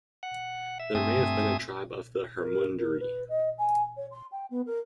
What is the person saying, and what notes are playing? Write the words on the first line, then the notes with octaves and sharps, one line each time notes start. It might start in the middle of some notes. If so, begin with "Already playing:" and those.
They may have been a tribe of the Hermunduri.
F#5
E5
G2 A3 C4 E5 G#5 D#6
A#4
A#4
B4
D#5
G#5
C#5
C6
G5
B3
A#4